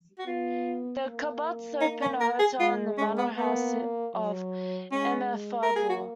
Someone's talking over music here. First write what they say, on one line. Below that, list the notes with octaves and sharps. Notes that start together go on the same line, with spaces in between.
The kibbutz opened a hotel in the manor house of Emir Faour.
F#4
B3 F4
A#3
D#4
C#4
A#4
G#4
G#3 F4
C#4
B3
A#3 B3
F#3
G#3 C#4
A#4
A#3
G#4
F#4